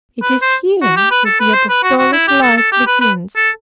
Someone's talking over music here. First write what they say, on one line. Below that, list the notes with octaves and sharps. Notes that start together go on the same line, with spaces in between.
It is here that the apostolic life begins.
B4
C5
F#4
G4
B4
A4
B4
C5
B4
F#4
F#4
E4
G4
A4
A4
G4
B4
B4
A4